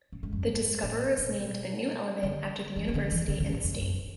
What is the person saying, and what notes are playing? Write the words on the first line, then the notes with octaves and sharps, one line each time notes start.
The discoverers named the new element after the university and the state.
A2
G#2
F#2
G#2
A2
B2
D3
E3
E3
D3
E3
D3
C#3
A2
F#2
G#2
F#2